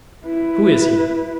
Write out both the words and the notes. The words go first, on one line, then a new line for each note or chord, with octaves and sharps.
Who is he?'
E4 B4